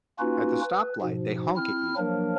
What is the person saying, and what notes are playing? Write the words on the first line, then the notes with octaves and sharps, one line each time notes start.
at the stoplight they honk at you.
A#3 C#4 D#4 F4 F#4 B4
B4
G#2 B2 F3
C4 E4 F6
F3 F#3 A#3 D4 A#4